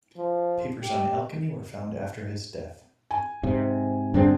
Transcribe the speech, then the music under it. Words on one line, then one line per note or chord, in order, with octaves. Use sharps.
Papers on alchemy were found after his death.
F3
G4
G#5
G#2 C3
G2 D3 C4 D4 G#4